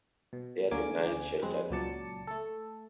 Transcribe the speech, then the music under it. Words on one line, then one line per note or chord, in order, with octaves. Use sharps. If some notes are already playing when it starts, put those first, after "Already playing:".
There the knights sheltered her.
B2
D2 D3 A#3 C#4 G#5 D6
F2 G#3 C4 B4
C#2 A#2 F#3 D5 A5 C#7
A3 A4